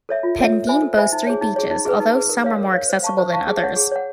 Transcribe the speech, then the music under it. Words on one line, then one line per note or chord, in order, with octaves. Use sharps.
Pendeen boasts three beaches although some are more accessible than others.
A4 C#5 E5
F4
A4 C#5 E5
A4
C5 E5 G#5 B5
A4
C5 E5 G#5 B5
D#4
G#4 C#5
D#4
G#4 C#5
D#4
G#4 B4
D#4
G#4 B4
A#4
C#5 F5
A#4
C#5 F5
C5
F5 A5 C#6
C5
F5 A5 C#6
G#4
C#5 F#5
G#4
C#5 F#5